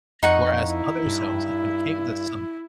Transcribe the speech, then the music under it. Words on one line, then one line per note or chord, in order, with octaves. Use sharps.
whereas other selves, like when it came to some
F2 D#4 F#5 C#6
E4
G2